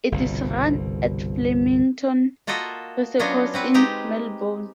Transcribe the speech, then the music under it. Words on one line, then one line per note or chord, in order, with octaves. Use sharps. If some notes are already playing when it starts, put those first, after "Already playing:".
It is run at Flemington Racecourse in Melbourne.
G1 C2 B2
A#3 F4 F#4 A4 D#5 E5
F#3 B3 C#4 D4 F4 D#5
C4 F#4 B4
G#3 D#4 G4